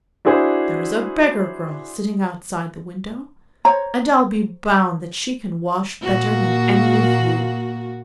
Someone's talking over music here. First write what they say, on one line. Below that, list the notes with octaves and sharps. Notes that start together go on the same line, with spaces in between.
There is a beggar-girl sitting outside the window, and I'll be bound that she can wash better than any of you!
D4 E4 F#4 G#4 C5
C5 C#5 A#5
A#2 A#3 F#4